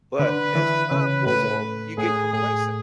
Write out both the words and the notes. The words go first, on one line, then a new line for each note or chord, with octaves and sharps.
But as time goes off, you get complacent.
D3 B4
E3
C#3 B4
A2 B4
A2 G#4
A2 G#4